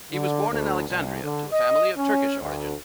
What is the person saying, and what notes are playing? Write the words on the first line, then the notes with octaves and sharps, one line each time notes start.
He was born in Alexandria to a family of Turkish origin.
D3
D2
C2
D3
D#5
C#4
D2